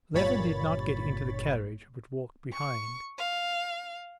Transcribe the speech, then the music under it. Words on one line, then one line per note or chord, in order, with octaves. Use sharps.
Levin did not get into the carriage, but walked behind.
G1 G2 A#2 C#5 B5 A6
C#6
F5